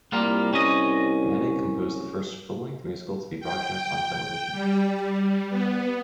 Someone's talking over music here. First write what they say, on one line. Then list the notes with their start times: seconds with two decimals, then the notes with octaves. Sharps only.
Manning composed the first full-length musical to be broadcast on television.
0.12 C2 G3 A#3 F4
0.54 C#4 D#5
3.40 G5
4.52 G3
5.49 B3